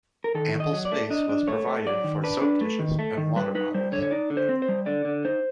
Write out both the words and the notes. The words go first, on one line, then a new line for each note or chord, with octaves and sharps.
Ample space was provided for soap-dishes and water-bottles.
A#4
D#3 A4
D#3
D#5
F#3
D5
A3
D4 D#5
D4
A3 C#5
A3
F#3 D5
D#3
D4 B4
D4
A3
D#3
A3
D#3
G3 B4
D#4 B4
G3 C5
D3 C#5
C#5
D#4 D5
D3
C5
C4
C5
G3
D3 D5
D3
D#4 C5